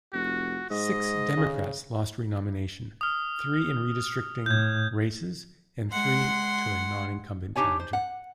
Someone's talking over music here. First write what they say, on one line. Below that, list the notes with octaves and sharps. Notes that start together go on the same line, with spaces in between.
Six Democrats lost renomination: three in redistricting races and three to a non-incumbent challenger.
F1 F#4
G#2 D#5
C#3
D#6 F6
A2 G6 G#6
G#3 F#5 C6
D4 D#4 G4 C#5 G#5
C5
F#5